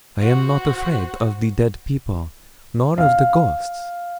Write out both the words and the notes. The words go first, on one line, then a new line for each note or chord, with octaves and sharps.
I am not afraid of the dead people, nor of the ghosts.
F#4 C5
F5